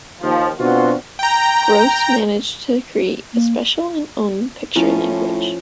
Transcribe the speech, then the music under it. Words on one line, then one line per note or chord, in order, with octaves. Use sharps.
Gross managed to create a special and own picture language.
D#2 F3
B2 C4 D4 F4 F#4
G5 A#5
A#3
A2 F3 C#4 E4